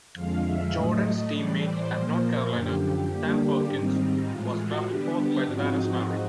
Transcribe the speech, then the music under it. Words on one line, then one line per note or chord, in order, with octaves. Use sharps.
Jordan's teammate at North Carolina, Sam Perkins, was drafted fourth by the Dallas Mavericks.
F2 D3 F3 G#3 F5
E5
A2 F#3 A3 D#5
A2 E3 G3 D5
C5
A#2 F3 A#3 C5
A#4
F#2 D3 F3 G4
D3 G3 A#3 D4
G#2 D#3 G3 C4 D#4
A2 E3 G#3 F4
F#4
D3 G3 B3 D4 G4
G#2 F3 G#3 C4 D#4 F#4